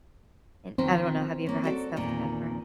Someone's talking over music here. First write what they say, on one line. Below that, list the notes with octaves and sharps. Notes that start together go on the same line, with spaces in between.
and I don't know, have you ever had stuffed pepper?
B2 D#3 F3 C4
A#3 C#4
F#4 A4 D5
E2 A#2 D#3